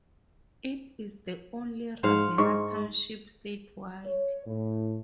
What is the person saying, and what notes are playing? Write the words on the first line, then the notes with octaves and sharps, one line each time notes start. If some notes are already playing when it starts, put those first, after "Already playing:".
It is the only Ravenna Township statewide.
G#2 C5 F5 F#5
G#2 G#3 C#6
C#5
A2